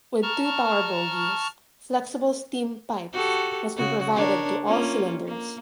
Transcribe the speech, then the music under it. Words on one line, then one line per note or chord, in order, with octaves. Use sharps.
With two power bogies, flexible steam pipes must be provided to all cylinders.
A5 A#5 C#6 F6
F#4 G4 A4
C#3 F#4
D4 A#4 C#5
A#3 C#4 F4
A#3